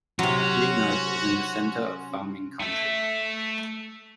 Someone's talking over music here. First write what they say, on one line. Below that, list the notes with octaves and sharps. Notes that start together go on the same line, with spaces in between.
Lignite is in the center of farming country.
C3 F#3 C#4 F#4 C6
A3 E5